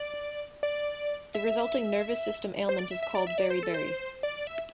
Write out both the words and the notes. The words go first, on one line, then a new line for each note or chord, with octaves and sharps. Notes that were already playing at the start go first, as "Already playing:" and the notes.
The resulting nervous system ailment is called beriberi.
Already playing: D5
D5
E5
C5
D5
E5
E5
D5
E5
D5
C5
A4
C5
D5
E5